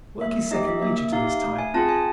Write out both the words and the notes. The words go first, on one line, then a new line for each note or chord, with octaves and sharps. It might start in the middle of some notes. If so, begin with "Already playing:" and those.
Work is second nature to this type.
A#3 E5
D#4 G4 D#5
E5
A#3 E5
E5
D#4 G4 F5
F5
A3
G#5
C4 F4 G#4 A5
G#5